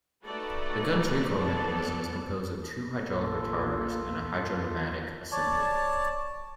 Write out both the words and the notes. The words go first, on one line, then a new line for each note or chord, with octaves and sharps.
The gun's recoil mechanism is composed of two hydraulic retarders and a hydropneumatic assembly.
A3 D#4 F#4 A4 B4 D5
E3 F#3 B3 A4 D5 A5
A#1 A#3 F4 A4
C#5 D5 A5